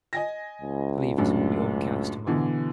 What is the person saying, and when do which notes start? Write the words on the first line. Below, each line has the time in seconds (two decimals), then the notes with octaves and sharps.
I believe it will be overcast to-morrow.
0.13 D#5 G#5 A#6
0.62 C#2
1.18 F#2 A2 D4
2.27 B2 D3 E3